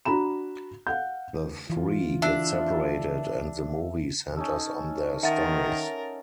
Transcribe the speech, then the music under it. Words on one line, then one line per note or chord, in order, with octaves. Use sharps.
The three get separated and the movie centers on their stories.
D4 F#4 A#5 B5 E7
F5 F#5 G6
E3 F4
D4 E5
C#4 D#4 A4
D#3 A#4 E5 F#5 A6